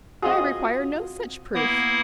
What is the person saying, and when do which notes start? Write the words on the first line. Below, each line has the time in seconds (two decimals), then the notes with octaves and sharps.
But I require no such proof.
0.22 C4 F4 F#4 G#4 D#5
1.55 A#3 B3 E4 D#6